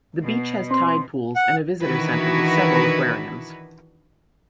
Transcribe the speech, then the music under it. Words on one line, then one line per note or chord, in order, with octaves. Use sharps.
The beach has tide pools and a visitor center with several aquariums.
B2
C4 C6
F#5
D#3 E3 D4 E4 F#4 B4